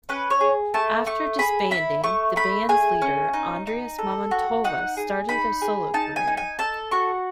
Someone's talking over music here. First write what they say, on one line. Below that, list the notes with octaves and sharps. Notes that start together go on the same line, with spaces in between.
After disbanding the band's leader Andrius Mamontovas started a solo career.
C#4 B4
C#5
G#4
A3 A5
A3 C#6
G#4 B5
E4 B5
A3 C#6
A3 B5
G#4 G#5
C#4
D#4
D#4
A4
F#4
D#4 F#5
G#4
D#4 B5
G#4
D#4 A5
G#5
D#4
G#5
A4 A5
F#4 C#6